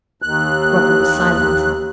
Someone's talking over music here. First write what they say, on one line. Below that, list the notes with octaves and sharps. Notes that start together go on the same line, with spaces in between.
Robin was silent.
D#2 F#6